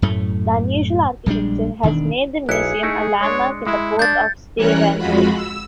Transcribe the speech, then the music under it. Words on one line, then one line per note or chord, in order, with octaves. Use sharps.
The unusual architecture has made the museum a landmark in the Port of Stavanger.
F#2 A2 A3
A#1 G3 G#3 D4
E1 D#3 C4 D4
B1 E4 G#4 F#6 C#7
A3 D#4 E4
G#3 D4 C#5
G#3 E4
D4 G6 A6
E3 G3 C#4 A#4 C#5 F#6
F2 G#3 F4 F#4 B5
E6